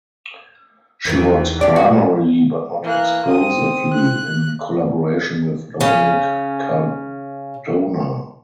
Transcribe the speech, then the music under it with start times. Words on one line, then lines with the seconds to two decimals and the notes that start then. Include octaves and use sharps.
She works primarily but not exclusively in collaboration with Dominique Cardona.
1.05 E2 D#3 E3
1.61 D4 G4 D5
1.76 F#4
2.84 E3 A#3 F#6
3.28 C4 D#6
3.93 F#6
5.81 C#3 C#4